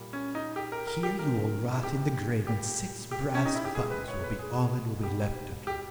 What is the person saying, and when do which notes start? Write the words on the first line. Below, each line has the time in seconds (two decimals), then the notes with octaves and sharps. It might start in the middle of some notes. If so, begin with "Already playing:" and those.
"Here you will rot in the grave and six brass buttons will be all that will be left of you."
Already playing: A#2 G3
0.13 C#4
0.35 D#4
0.56 G4
0.72 A#4
0.87 A#4
1.03 G4
1.19 C#3 G#3 A#4
1.72 E4
1.83 G4
2.47 A#2 G3 G4
3.11 G4
3.35 C#4
3.45 D#4
3.55 E4
3.65 G4
3.75 A#2 G#3 G#4
3.91 B4
4.08 C#5
4.24 B4
4.39 G#4
5.03 B2 G3 G4
5.67 G4